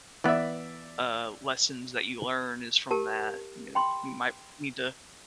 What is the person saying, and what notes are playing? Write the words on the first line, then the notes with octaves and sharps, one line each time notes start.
uh, lessons that you learn is from that, you know, you might need to
E3 B3 D5 E5
G4 A#4 A5
G5 B5 C6